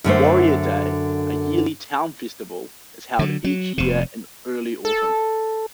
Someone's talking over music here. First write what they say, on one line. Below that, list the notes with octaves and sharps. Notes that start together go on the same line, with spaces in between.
Warrior Day, a yearly town festival, is held each year in early autumn.
F#2 D3 A3 C5
D3 F#3
F#3
F1 C3
A4